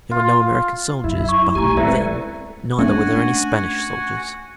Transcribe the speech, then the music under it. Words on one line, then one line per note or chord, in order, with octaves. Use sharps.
There were no American soldiers, but, then, neither were there any Spanish soldiers.
F4
F#2 E4
C#6
E1 A3 E4 G4 G#5
G#3 C4 E4 A4 B4 D5 E5
A3 C#4 D4 F#4 F#5 G#5